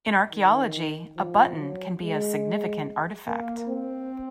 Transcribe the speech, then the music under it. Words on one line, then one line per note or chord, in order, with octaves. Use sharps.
In archaeology, a button can be a significant artifact.
D#3
F3
F#3
G#3
A#3
C4